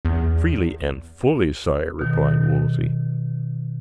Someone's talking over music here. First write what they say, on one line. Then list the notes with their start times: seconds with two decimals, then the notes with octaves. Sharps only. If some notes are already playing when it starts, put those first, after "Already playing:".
"Freely and fully, sire," replied Wolsey.
0.05 E2
1.99 B2 D#3